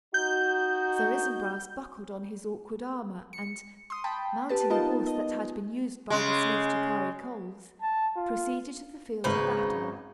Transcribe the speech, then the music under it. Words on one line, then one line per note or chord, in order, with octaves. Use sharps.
Sir Isumbras buckled on his awkward armor and, mounting a horse that had been used by the smith to carry coals, proceeded to the field of battle.
D#4 F#4 G6
C#7
C6 D#6
G5 A5 B5
G4 B4 A5
B3 D#4 F4 A#4 D#5 A5
D#5
C#3 G#3
A5
F4
G#1 C#3 D#4 B4 C5